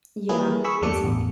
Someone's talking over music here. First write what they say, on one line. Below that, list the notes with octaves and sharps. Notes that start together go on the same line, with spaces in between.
Yeah. It's i
G3 A#3 E4 G#4 B4
G#4 B5 C#6 E6
E2 G2 G3 A4 D6 C#7
A1 E2